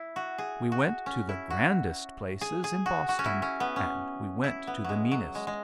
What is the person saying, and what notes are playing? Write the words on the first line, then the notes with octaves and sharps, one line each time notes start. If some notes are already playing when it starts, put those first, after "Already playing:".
We went to the grandest places in Boston, and we went to the meanest.
Already playing: E4
F#4
G#4
F#4
C#4
E4
F#4
G#4
G#4
F#4
F#4
C#4
E4
C#4
B3
C#4
E4
B3
F#3 G#3
F#3
G#3
G#3